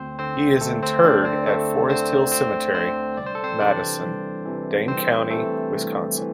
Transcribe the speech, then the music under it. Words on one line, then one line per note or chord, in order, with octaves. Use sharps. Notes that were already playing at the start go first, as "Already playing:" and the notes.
He is interred at Forest Hill Cemetery, Madison, Dane County, Wisconsin.
Already playing: D2 C4 C5
D3 C4 C5
D2 A3 A4
C4 C5
D3 D4 D5
C4 C5
D2 A3 A4
D3 C4 C5
D2 C4 C5
D3 C4 C5
C2 D5
C5
A4
C4 C5
C3 E3 D4 D5
C2
C3 E3
C2 C4 C5
C3 E3 A3 A4
C2
E3